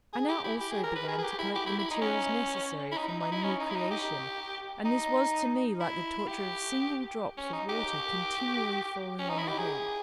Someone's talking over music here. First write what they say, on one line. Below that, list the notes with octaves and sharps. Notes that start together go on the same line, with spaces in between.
I now also began to collect the materials necessary for my new creation, and this was to me like the torture of single drops of water continually falling on the head.
G#4
G4
E4
G4
G#4
A#4
B4
G#4
G#4
G4
E4
G4
E4
E4
D#4
C#4
E4
D#4
D#4
D#4
E4
C#4
D#4
E4
D#4
G4
D#4
E4
E4
G4
C#4
D#4
G4
C#4
D#4
E4
G4
G#4